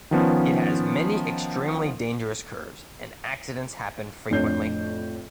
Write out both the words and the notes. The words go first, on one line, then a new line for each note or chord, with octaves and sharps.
It has many extremely dangerous curves, and accidents happen frequently.
D#3 F3 B3 C#4
F2 A2 D4 C#5 G6 C7